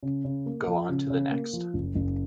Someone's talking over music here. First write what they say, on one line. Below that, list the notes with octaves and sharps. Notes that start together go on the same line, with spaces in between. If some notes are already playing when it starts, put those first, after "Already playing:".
Go on to the next.
C#3
C#3
A#3
F3
C#3
C#3
A#3
F3
F#1
F#1